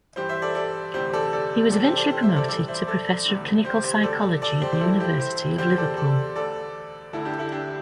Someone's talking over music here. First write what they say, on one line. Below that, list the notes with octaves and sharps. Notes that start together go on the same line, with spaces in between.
He was eventually promoted to Professor of Clinical Psychology at the University of Liverpool.
G2 E3 G4 C5
C5 E5
A4 D5
A4 D5
D2 C3 E3 G4 C5
A4 D5
A4 D5
C2 C3 E3 A4 D5
G4 C5
A4 D5
G4 C5
C5 E5
A4 D5
G2 E3 A4 D5
C5 E5
A4 D5
D2 C3 E3
G4 C5
G4 C5
D2 D3 A4 D5
A4 D5
G4 C5
C5
G2 E3 E4 A4
G4 C5
G4 C5
E2 D3 G4 C5
A4 D5
A4 D5
D2 D3 A4 D5
D2 D3 E4 A4
D4 G4
E4 A4
D4 G4